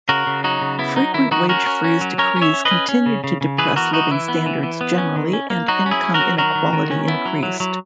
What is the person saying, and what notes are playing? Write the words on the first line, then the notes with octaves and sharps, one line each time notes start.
Frequent wage freeze decrees continued to depress living standards generally and income inequality increased.
C#3 F#4 A#4
C#3
F#3 D#4 F#4
C#3
B3 E4
F#3 D#4
D#3 E4
D#3 D#4 F#4
C#4 F#4 A#4
C#4
C#4
F#3
C#4 A#4 C#5
C#4
C#5 E5
C#4
B4 D#5
C#4
C#4
C#3
C#3
C#3
E3 G#4 B4
B3 F#4 A#4
E3 D#4 F#4
E3 E4
B3
E3
E3
B3
C#4
D#3
C#4
A#3
F#3 D#4 F#4
C#4
E4 G#4
C#4
F#4 A#4
F#3
D#3 F#4 A#4
D#3
D#3
C#4
B3 E4
F#3
F#3
F#3